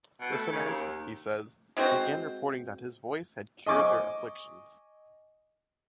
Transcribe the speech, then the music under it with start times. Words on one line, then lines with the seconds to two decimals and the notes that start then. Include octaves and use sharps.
Listeners, he says, began reporting that his voice had cured their afflictions.
0.20 B2
0.32 A3
0.52 C#3
0.65 D#2
1.77 G#3 C4 F#4 C5
3.66 D#5 G#5 C#6 D6